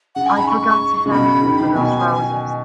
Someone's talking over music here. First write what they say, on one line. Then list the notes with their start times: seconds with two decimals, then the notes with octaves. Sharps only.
I forgot to thank you for those roses.
0.15 C#3 F#5
0.26 G#5
0.37 G#2 B5
0.47 C#6
1.06 C#3
1.11 B2 B5
1.43 D#3
1.60 D#3
1.75 B2 G#5